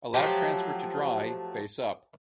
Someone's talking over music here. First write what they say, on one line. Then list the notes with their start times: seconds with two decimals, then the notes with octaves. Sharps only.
Allow transfer to dry, face up.
0.14 F3 F#3 A3 G4